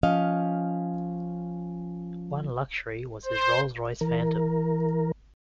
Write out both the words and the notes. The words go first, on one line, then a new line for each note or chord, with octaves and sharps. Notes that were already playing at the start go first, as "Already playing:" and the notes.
One luxury was his Rolls-Royce Phantom.
F3 C#4 D#5 F5
C5
E3 A#4